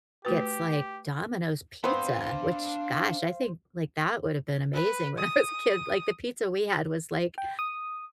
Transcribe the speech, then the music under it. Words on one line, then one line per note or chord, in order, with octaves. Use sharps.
gets like Domino's pizza, which, gosh, I think like that would've been amazing when I was a kid. Like, the pizza we had was like
A3 F#4 G4 B4
B3 C4 D4 C5 F5 B5
B4
D#6
G5
D#6